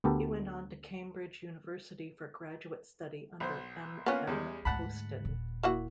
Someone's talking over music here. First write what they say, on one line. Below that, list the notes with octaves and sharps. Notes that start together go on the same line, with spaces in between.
He went on to Cambridge University for graduate study under M. M. Postan.
D2 B3 G4 A4 A#4
B1 C5
A#3 B3 C#4 F4 F#5
E2 G3 G#3
D2 G#2 F#5 A5 B5
D#1
A#3 E4 F#4